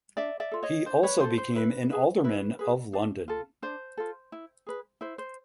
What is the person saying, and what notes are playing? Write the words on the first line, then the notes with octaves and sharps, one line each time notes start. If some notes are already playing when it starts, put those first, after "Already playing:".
He also became an Alderman of London.
D4 D5 E5
D5 E5
F4 A4
C#5 D#5
D4 C5
B4 C#5
F4 A4 C5
C5
E4 B4
G#4 B4
E4 B4
G#4 B4
D4
F4 A4
D4 C5
F4 A4
E4
G#4 B4
E4 C5
C5